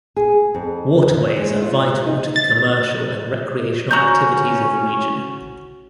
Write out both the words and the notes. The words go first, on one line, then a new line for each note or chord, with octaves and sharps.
Waterways are vital to the commercial and recreational activities of the region.
G#4
F2
G#3
F4
D#4
A6
C#4 F#4 A#5 G6